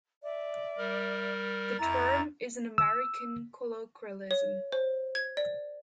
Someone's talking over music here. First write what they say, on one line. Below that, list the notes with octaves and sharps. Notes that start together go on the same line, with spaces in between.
The term is an American colloquialism.
D5 E5
G3 A#4
F2 E4 A#5 A6
E6
C#5
C5
G#6
D5